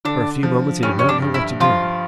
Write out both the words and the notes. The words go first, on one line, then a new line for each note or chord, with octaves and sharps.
For a few moments he did not know what to do.
D3 D4
F3
G2 C#4
C#4
D4
G2
E4
F3 F4